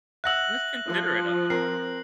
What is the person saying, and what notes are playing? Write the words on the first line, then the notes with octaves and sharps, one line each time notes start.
That's considerate of them.
E5 F#5 E6 F#6 A#6 F#7
F3
C4 A#4 C7